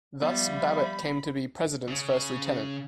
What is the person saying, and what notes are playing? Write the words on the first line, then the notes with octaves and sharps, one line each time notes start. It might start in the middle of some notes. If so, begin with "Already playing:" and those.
Thus, Babbitt came to be "President"s first lieutenant.
F3 G3 B3 D5 E5 F5 B5
C#3